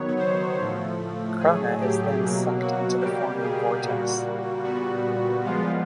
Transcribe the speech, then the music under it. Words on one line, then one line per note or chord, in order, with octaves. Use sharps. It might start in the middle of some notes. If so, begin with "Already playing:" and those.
Krona is then sucked into the forming vortex.
Already playing: D#3 F#3 B3 C#5
C5
A2 F3 A3
A2 F#3 A3 G#4
G4
B2 F#3 A#3
F#4
B2 G3 A#3 G4
G#4
A#2 G3 A#3 F#4
A#2 G3 B3 F#4
A#2 F3 G#3 B3 F4